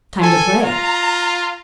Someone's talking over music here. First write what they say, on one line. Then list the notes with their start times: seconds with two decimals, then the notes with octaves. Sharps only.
"Time to play."
0.22 A4 G#5
0.64 F4 A#5